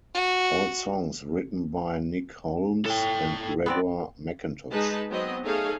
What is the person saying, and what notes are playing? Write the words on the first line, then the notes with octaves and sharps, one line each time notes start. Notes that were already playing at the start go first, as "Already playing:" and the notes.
All songs written by Nick Holmes and Gregor Mackintosh.
F#4
A2 A4 G5
B3 C4 D5
G#3 D#4 B4 A5
F#3 B3 C4 D#5
A3 D#4 G#4 A4 C#5 F5